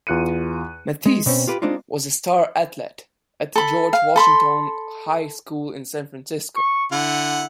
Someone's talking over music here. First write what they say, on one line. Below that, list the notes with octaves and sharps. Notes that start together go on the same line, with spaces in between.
Mathis was a star athlete at George Washington High School in San Francisco.
E2 F4 F#6 C#7 D#7
G#3
B2 C4 C#4
F4 G4 B4
G#3 C4 D4 D#4 F4
A4 B5
F5
A4 B5 C6
C#6
D3 E4 F#5